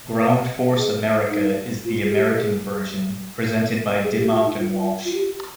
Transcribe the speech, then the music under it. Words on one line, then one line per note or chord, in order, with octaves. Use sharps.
Ground Force America is the American version, presented by Dimmock and Walsh.
B4
G#4
D#4
F4
G#4
G4
G#4
G#4
G4
F4
D#4
F4
F4
G4